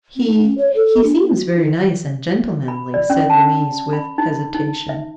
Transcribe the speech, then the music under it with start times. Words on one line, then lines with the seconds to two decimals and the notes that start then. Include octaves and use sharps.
"He--he seems very nice and gentlemanly," said Louise with hesitation.
0.16 C4
0.28 D#4
0.42 C#4
0.58 C#5
0.75 A4
1.04 D4
1.22 A#3
1.34 F#4
1.56 D#4
2.68 B5
2.94 D5
3.10 C#4
3.30 A5
3.93 B5
4.18 D#4
4.54 D#4
4.89 E5